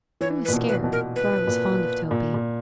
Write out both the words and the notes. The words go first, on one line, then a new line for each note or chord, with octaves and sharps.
I was scared, for I was fond of Toby.
E3 C#5
B4
A#2
B2
B4
B2
A#4
B4
A#2
A#2
A#2